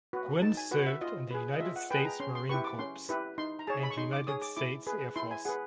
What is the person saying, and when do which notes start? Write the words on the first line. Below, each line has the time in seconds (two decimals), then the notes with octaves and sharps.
Gwynn served in the United States Marine Corps and United States Air Force.
0.13 F#4 B4
0.42 D#4 A5
0.57 G#5
0.71 F#4 B4 F#5
0.86 E5
1.01 F4 D#5
1.31 G#4 B4
1.55 D#5
1.60 F4 E5
1.76 F#5
1.90 G#4 B4 G5
2.05 A#5
2.20 C#4 C6
2.35 C6
2.49 E4 G4 B4 C#6
2.64 D6
2.79 C#4 C6
3.09 E4 G4 B4
3.38 D#4 C6
3.59 A#5
3.67 G#4 C#5 A5
3.83 B5
3.90 C#6
3.97 D#4 C6
4.13 D6
4.27 G#4 C#5 D#6
4.42 D6
4.57 E4 D6
4.87 G#4 B4
5.16 E4 C6
5.31 G#5
5.45 G#4 B4 F#5